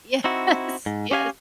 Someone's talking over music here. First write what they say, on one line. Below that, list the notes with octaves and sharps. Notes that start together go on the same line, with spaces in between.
Yes, yes.
C4 D#4 E4 F#4
G#2
C#4 G4 F5 G#5